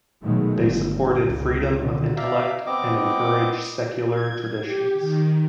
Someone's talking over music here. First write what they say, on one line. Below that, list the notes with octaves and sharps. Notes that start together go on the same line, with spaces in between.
They supported Freedom of intellect and encourage secular traditions.
B2 D#3 F#3 G#3 A3 B3
G1
C#2
B2 D3 D#3
D5 E5 F5 A#5
B3 C4 D#5 D6
G#6
G4
D#3